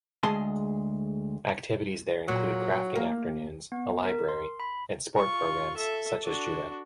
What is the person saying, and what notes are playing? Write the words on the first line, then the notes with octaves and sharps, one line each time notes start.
Activities there include crafting afternoons, a library, and sport programs, such as judo.
D2 G#3 G#4 A5 C6
A#2 F#3
A#3
B3
A#4
C6
B5
F4 C#6
A4 E5
D4 F#4